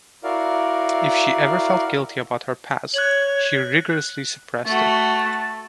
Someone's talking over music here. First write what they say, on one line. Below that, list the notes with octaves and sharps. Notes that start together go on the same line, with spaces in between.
If she ever felt guilt about her past, she rigorously suppressed it.
E4 F#4 A#4 D5 F5
C#5 F#6 F#7
A3 F#4 A5